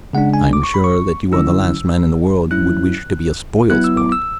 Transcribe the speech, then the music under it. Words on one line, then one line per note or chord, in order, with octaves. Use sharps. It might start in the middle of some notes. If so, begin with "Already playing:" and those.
I am sure that you are the last man in the world who would wish to be a spoil-sport.
C#3 G#3 D4 F#5
G#5
D6
C#6
B5
C#6
D3 F#3 C#4 E4 E6
F#3 C#4 E4 F#6
F#3 B3 E4 F#6
E6
D6
E6